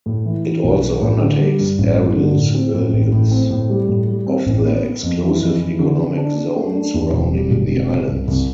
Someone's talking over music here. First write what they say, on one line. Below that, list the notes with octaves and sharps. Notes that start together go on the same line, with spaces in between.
It also undertakes aerial surveillance of the exclusive economic zone surrounding the islands.
A2
E3
E3
B1
E3
A2
D3
G3
G2
A1
G2
D3
A2
C4
A2
A1
A2
C4
A2
G3
A2
G3
C4
A1
B3
B3
F2
E3
F2
E3
D3
D3
D4
D4
A3
D4
E2
E1
G3
E1
C3
C3
C2
C2